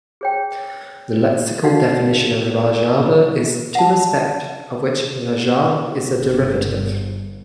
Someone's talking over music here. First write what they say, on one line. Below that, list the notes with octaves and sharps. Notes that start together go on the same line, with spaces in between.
The lexical definition of Rajaba is "to respect", of which Rajab is a derivative.
G#4 C#5 G5
D#4 F#4 D5 F5 F#5
F#5 A5
G1